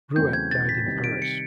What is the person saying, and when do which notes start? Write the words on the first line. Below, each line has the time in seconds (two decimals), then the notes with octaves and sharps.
Ruwet died in Paris.
0.16 E2 C#3 F#3 A3 C4 G6
0.33 G#6
0.51 A6
0.69 B6
0.86 C3 D#3 G3
1.04 D7
1.22 C#7